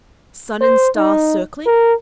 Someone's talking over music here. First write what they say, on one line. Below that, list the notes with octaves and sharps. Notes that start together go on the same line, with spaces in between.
Sun-and-star circling.
C5
D#4
A#4